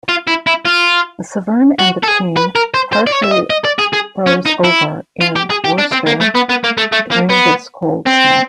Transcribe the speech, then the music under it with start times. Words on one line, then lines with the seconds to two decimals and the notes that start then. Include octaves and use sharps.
The Severn and the Teme partially froze over in Worcester during this cold snap.
0.09 F4
0.27 E4
0.47 E4
0.65 F4
1.79 F#4
2.03 A4
2.08 G#4
2.37 B4
2.55 A#4
2.74 C5
2.93 C5
3.07 D5
3.12 C#5
3.24 E5
3.31 D#5
3.50 D#5
3.65 D5
3.79 G#4
3.93 G#4
4.26 C#4
4.46 D#4
4.64 E4
5.21 F4
5.36 G4
5.50 G#4
5.64 G4
5.78 D4
5.92 C4
6.07 A#3
6.21 A3
6.35 B3
6.49 B3
6.64 A#3
6.78 A3
6.92 A3
7.12 A#3
7.30 B3
8.06 C4